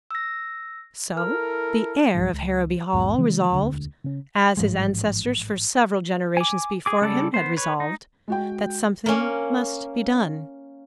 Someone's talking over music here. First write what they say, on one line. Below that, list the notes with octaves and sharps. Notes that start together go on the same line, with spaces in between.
So the heir of Harrowby Hall resolved, as his ancestors for several generations before him had resolved, that something must be done.
E6 A#6
E4 A4 A#4 F6
C2 G#2 F3
C#2
B1 E2 G#2
C#3 E3 F3 G#3
E1 D2 D3
C#3 C#4
A1 G#2 F3 G#3
G#5 D6
G#4 D6
C#3 G3 A4 D5
B3 C5
B4 C#5
D#4
G#3 F#4 G5
A#3 C#4